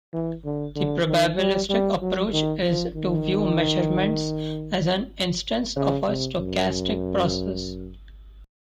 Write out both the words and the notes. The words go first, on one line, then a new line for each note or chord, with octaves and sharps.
The probabilistic approach is to view measurements as an instance of a stochastic process.
E3
D3
D3
D#3
G3
G3
F#3
D#3
F3
D#3
C#3
C3
F#2